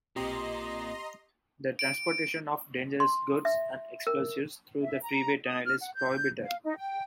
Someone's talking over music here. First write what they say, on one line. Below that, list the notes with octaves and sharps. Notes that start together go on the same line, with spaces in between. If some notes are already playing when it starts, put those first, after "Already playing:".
The transportation of dangerous goods and explosives through the freeway tunnel is prohibited.
B1 A#2 C4 G4 D#5 A#5 C6
D7
C6
E5
A#4
E5
A#5
D#6
F6
F#5
G6
F5
D#4
G5